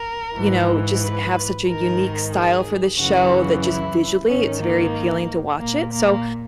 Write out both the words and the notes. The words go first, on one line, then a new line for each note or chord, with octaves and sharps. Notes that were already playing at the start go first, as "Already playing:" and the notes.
you know, just have such a unique style for this show that just visually it's very appealing to watch it, so
Already playing: A#4
G#2 E3
B4
G#2 D#3 A#4
G#4
F#2 C#3 E3 F#4
E4
G#2 D#3 C#4
A#3
A#2 A#3
A#3